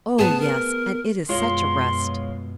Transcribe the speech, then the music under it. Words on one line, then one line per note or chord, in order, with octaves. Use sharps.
'Oh yes! and it is such a rest.
B3 G#4 A5
A#4
F#2 B2 G#3 F4 C#5 C6